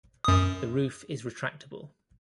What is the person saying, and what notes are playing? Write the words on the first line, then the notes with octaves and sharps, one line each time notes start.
The roof is retractable.
F#2 D#6